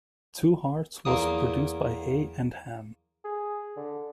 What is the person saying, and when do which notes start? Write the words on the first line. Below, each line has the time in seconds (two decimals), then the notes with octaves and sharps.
"Two Hearts" was produced by Hay and Ham.
1.05 E2 A#3 D#6
3.24 G#4
3.77 D3